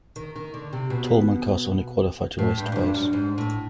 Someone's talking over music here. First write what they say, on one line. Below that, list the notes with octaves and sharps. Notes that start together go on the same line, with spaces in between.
Toleman cars only qualified to race twice.
D#3
D#3
D3
C3
B2
A2
G2
G#2
G2
F#2
G#2
A2